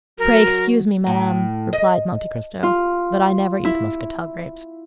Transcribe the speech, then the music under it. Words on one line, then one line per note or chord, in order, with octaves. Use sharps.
"Pray excuse me, madame," replied Monte Cristo, "but I never eat Muscatel grapes."
F#3 F#4 A#4
A2
D#5
F4
E4